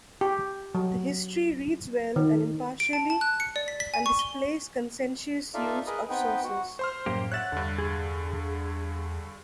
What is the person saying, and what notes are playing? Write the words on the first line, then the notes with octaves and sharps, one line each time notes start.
The history reads well and impartially, and displays conscientious use of sources.
G4
F#3
D#3
D7
A5
A5
F#6
C#7
D5
B6
B6
G#5
C#6
G7
D#4 F4 A4 D5 E5 F5
G#4 A#4 B4 D#5
B3 C4 D#4 B4 G5
F#4
C5 C6 F6
F#2 A2 A#3 G4
C#5 E5 F#5 F#6 A6
E2 G2 D3
G#4